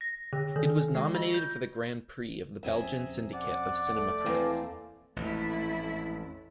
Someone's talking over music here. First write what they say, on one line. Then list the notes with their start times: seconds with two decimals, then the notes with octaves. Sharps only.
It was nominated for the Grand Prix of the Belgian Syndicate of Cinema Critics.
0.01 A#6
0.33 D3
0.56 D#3
0.95 G#3
1.15 F4
1.34 G6
2.63 D#1 F2 C3 C#4 G#4 E5
3.34 D5 F#5
3.94 A3
4.26 E3 A#3 C4
5.16 A1 F2 G#2 A3 E4